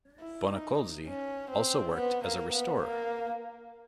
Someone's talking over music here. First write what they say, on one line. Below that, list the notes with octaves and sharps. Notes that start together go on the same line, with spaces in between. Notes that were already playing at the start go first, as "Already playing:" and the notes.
Bonacolsi also worked as a restorer.
E4
D#4
C#4
C4
B3
A#3
B3
A#3